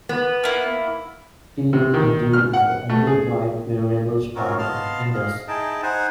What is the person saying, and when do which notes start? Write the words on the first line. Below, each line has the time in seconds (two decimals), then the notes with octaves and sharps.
T Indi is the only bright variable star in Indus.
0.09 B3
0.44 A#3 E4
1.73 C3
1.94 D#3
2.33 F6
2.53 F#5
2.90 A3
3.07 G#4
4.36 C4 C#4 F4 F#4 A#4
4.59 B3 D#5 F5 A5 C6 F6
5.13 D#5 F5
5.48 D#4 E4 G#4 D#5 G5 A5
5.83 D#4 C5 F#5 G#5